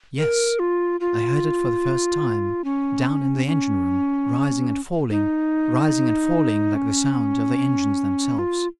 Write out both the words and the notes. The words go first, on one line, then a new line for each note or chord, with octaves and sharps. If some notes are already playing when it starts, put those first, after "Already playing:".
"Yes, I heard it for the first time--down in the engine-room; rising and falling, rising and falling, like the sound of the engines themselves."
A#4
F4
F4
C#4
C#4
D#4
C#4
F4